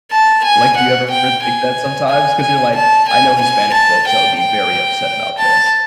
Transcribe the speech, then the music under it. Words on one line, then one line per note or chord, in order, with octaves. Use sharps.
Like, do you ever think that sometimes? 'Cause you're like, "I know Hispanic folks that would be very upset about this,"
A5
G#5
F#5
G5
G#5
G#5
G#5
A5
G#5
G#5
A5
G5
G5
A5